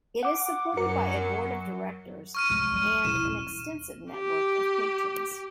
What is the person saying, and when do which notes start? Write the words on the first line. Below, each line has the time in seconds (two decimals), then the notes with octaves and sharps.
It is supported by a board of directors and an extensive network of patrons.
0.23 F#5 D6
0.77 F#2 F#3 A#4 C#7
2.35 C#6 F6 D#7
2.50 G#1 G#3 F6
2.73 G3
3.05 D#1 E4 E7
4.11 G4